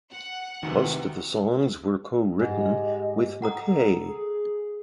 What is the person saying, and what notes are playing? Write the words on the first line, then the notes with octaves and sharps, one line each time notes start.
Most of the songs were co-written with McKay.
F#5
D2 C3 D#3 E3
G#2 G4 D#5
A4 F#5 A#5 D#6
G#4